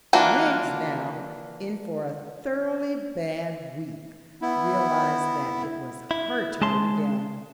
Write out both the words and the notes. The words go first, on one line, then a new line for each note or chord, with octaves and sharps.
Wiggs, now in for a thoroughly bad week, realised that it was her turn again.
E3 A#3 D4 F4 F#4
B3 E4
E4
G#3 A5 C6